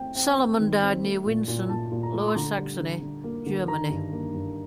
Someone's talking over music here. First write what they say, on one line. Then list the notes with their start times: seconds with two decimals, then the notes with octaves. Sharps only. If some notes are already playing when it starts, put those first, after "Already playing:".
Salomon died near Winsen, Lower Saxony, Germany.
Already playing: A3 C4 G5
0.15 C4 G5
0.37 C4
0.60 D#3
0.82 C4
1.03 A3
1.25 A#2
1.48 A#2
1.69 A#2 A5
1.92 A#2
2.03 A#5
2.14 A3
2.20 D6
2.28 C6
2.36 D3 A#5
2.58 G3
2.80 D3
3.02 D3
3.24 A#3
3.46 D3
3.68 D#3 A#5
3.90 G2
4.12 A#3
4.34 G2